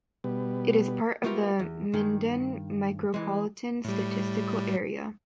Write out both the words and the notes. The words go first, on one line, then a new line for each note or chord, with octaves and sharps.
It is part of the Minden Micropolitan Statistical Area.
B2 G3 B3
A3 B3 F4 G4 A#4
E2
G2 D#3
E3 G#3
A2 G3